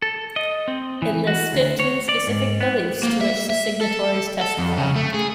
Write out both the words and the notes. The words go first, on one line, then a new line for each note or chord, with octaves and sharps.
It lists fifteen specific beliefs to which the signatories testify.
A4
D#5
C4
E3
F#4
D2
C#5
D5
G#2
B3
A#3
E5
E5
A4
A4
F2
C#3
A3
G#4